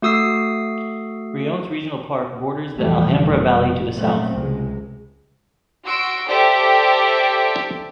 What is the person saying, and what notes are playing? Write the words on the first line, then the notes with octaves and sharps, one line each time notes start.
Briones Regional Park borders the Alhambra Valley to the south.
A3 F#4 D#6 E6 C7
E2 A#2 E3 F3 G3 A3
F1 A2 G3 A3
F2
A#2 C#3 F3 F#3 A3 C4
C#2 C3 G#3
F#4 C6 E6 D7
G4 A4 C5 D5 E5 G5